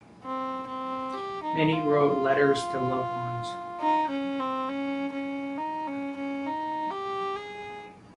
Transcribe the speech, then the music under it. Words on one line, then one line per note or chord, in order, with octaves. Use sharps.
Many wrote letters to loved ones.
C4
C4
G4
D#4
F4
D#4
C#4
C4
C#4
C#4
D#4
C#4
C#4
D#4
G4
G#4